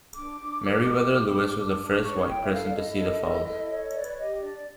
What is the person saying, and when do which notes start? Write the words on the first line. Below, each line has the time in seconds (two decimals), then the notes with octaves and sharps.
Meriwether Lewis was the first white person to see the falls.
0.15 D4 D6
0.40 D4
0.63 A#4
0.87 G4
1.11 G4
1.34 D4
1.58 D4
1.82 D4
1.98 D6
2.04 C#5 C#6
2.28 E4 G5
2.42 E5
2.52 A4 F5
2.69 D5
2.75 E4 D#5
2.99 A4
3.23 E4
3.47 A4
3.71 C#5
3.93 B4 D5
4.18 G4 D#5
4.41 D4 D5